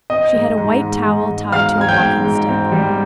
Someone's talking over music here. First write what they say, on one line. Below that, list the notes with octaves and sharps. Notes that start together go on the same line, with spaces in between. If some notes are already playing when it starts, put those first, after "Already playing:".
She had a white towel tied to a walking-stick.
C4 D#5 D#6
G#2
G#2
G#2
G#2
G#2
G#2 F5 F6
C4 G#6
G5 G6
G#2
G#2
C4
G3